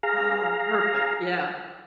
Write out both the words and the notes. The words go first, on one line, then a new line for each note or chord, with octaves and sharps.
Oh, perfect. Yeah.
G#4 F5 A#5